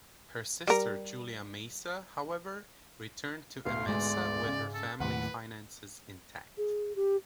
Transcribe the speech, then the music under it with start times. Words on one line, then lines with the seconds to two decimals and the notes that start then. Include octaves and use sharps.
Her sister Julia Maesa, however, returned to Emesa with her family finances intact.
0.67 G3 A#4
3.65 D2 B2 B3 F5
3.87 G#2 G#3 D5
4.46 C#3
4.74 A4
5.00 D#2 A2 B4 F#5
6.57 G#4
6.96 G4